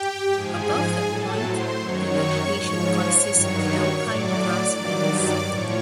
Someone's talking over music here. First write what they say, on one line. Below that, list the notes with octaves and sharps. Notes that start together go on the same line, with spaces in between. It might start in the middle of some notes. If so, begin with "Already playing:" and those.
Above that point, the vegetation consists of alpine grasslands.
Already playing: G4 G5
G#2 F3 G#4 G#5
A2 F#3 A4 A5
C5 C6
F#2 D#3 F#3 C#5 C#6
G#2 F3
G2 D#3 F#3
A2 F#3 D5 D6
G2 D#3 F#3 D5 D6
A2 F3 C#5 C#6